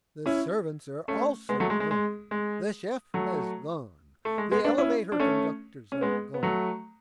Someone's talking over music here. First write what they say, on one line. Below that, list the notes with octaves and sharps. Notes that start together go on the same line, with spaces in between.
The servants are also gone; the chef has gone; the elevator conductors are gone.
C#4 E4
A3 C#4
G#3 B3
F#3 A3
G#3
G#3
G#3
G#3
F#3 A3
A3
G#3
G#3 B3
B3 D4
C#4 E4
D4
A3 C#4
C#4
G#3 B3
B3
F#3 A3